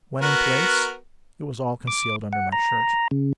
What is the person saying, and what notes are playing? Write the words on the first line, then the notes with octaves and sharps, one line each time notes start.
When in place it was all concealed under my shirt.
B3 F#4 A#4
D6
F#5
A#5
C#3